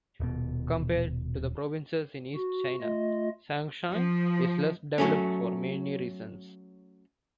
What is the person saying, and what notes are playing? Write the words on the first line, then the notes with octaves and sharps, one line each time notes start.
Compared to the provinces in east China, Shanxi is less developed for many reasons.
D#1 B2
F#4
A3 F4 D#5
F3
F#3 A3 C#4